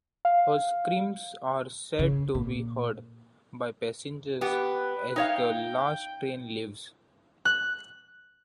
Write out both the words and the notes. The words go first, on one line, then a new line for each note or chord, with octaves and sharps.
Her screams are said to be heard, by passengers, as the last train leaves.
F5
C#3
A#2
B3 G4 B4
D#4 C#5 F5 G5
F#6